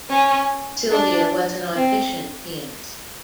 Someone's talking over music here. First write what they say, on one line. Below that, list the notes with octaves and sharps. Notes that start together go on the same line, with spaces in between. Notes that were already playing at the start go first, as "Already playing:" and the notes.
Sylvia was an audition pianist.
C#4
D4
C4